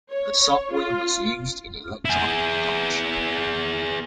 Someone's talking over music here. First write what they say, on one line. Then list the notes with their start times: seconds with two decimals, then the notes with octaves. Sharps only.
The software was used in electronic publishing.
0.12 C#5
0.75 F4
2.05 E4 G#4